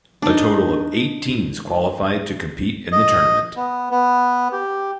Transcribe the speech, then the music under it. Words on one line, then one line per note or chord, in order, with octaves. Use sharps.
A total of eight teams qualified to compete in the tournament.
D4 D#4
D#5
B3
B3
G4